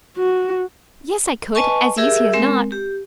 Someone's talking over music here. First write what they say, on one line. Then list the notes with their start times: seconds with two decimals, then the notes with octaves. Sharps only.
"Yes, I could, as easy as not."
0.17 F#4
1.55 B4 D#5 G#5 A5 C#6
1.97 G4 G#4 A#4 E5 E6
2.33 G#3 C4 A#4
2.72 G4